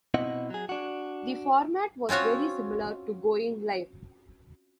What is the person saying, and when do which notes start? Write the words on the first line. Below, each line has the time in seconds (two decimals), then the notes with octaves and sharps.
The format was very similar to Going Live!
0.14 B2 C4 E4 D#5 F#5
0.50 F#3 G#4
0.69 D4 F#4
2.09 C4 C#4 F4 F#4 C#5